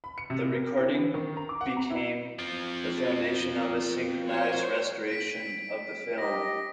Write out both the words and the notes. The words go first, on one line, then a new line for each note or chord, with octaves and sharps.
The recording became the foundation of a "synchronized restoration" of the film.
B5
C#7
C3
A#4
E4
E3
D#3
A#5
D6
F#5
A#5
E4
F3 C4
F#4 C5 C#5
B6 D7
G4 D#5 A#6